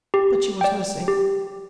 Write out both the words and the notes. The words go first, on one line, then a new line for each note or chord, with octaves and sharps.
But she was missing.
G4
D5 G5
G4